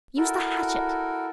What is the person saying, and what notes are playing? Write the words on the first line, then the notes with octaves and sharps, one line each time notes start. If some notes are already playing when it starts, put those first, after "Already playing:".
Use the hatchet!...
E4 F#4 A4 A#4